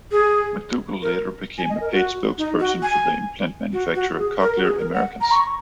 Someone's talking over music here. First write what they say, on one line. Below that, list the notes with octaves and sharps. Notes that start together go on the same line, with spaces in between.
McDougald later became a paid spokesperson for the implant manufacturer, Cochlear Americas.
G#4
A#4
G#5
D#5
A#4
F#4
D#4
F#4
G#5
F#4
F#4
G#4
A#4
F#4
G#4
A#4
F#5
A#5
C#6